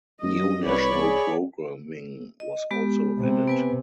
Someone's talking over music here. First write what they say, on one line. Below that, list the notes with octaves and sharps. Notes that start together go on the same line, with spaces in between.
New national programming was also added.
F#2 D#5
C2 B4 C#5 D5 B5
G#4
D#5
G#3 B3 G4
C3
B3 B4 G#5